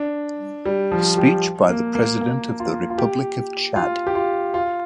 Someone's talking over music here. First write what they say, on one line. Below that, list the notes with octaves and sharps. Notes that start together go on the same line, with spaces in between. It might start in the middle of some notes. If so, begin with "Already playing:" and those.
Speech by the President of the Republic of Chad.
Already playing: D4
G3
F3
G4
A#3
A#3
A#3
F4
F4
G4
F4
G4
F4
F4